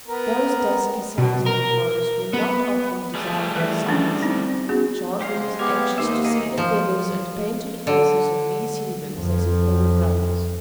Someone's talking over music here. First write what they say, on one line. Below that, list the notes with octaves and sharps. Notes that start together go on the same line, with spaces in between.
Those dusky sons of the forest were not often desirable sights; but Charles was as anxious to see the feathers and painted faces of these heathens, as if they were brothers.
B3 A#4
B2
A#4
B3
G3 A3 G#4
E3 B4 E5
F3 C#4 D4
E4
C4 D#4
B3 C#4 F#4 G#4
G#3 G4 C5 F5
B3 G4 F5 G#5
D#2 A#3 D#4 C5 E5
D#3 D#4 G#4 D#5
F3
D3
F2 F3